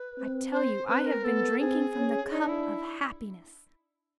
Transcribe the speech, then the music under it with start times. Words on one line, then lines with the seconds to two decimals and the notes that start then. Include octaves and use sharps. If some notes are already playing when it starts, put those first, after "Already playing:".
I tell you I have been drinking from the cup of happiness.
Already playing: B4
0.18 C4
0.52 C5
0.88 C4 B4
1.06 A#4
1.23 B3 A4
1.59 C4 G#4
1.95 C#4
2.30 D4 D#4
2.48 E4